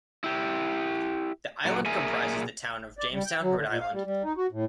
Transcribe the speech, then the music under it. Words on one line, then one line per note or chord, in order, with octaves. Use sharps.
The island comprises the town of Jamestown, Rhode Island.
E4 G4
A#2 F#3
A#2 G#4 A#4 E5 G#5
D5
G3
G5
F#3
D3
A#2
F5
G3
G3
D#4
F#4
A2